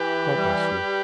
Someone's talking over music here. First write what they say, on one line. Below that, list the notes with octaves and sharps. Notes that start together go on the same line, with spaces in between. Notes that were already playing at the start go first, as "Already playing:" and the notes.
God bless you!
Already playing: E3 G4 B4
G3
G3